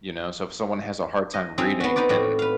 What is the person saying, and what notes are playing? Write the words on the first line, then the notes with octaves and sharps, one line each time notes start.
you know, so, if someone has a hard time reading and
D#5
C4 D#4 G#4 E5
B3 F#4
D#4 B4 C5 D5
A2 C4 F#4
B4 F5